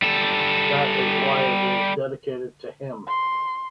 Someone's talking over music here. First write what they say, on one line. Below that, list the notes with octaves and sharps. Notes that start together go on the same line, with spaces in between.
That is why it is dedicated to him.
G3 A4
C6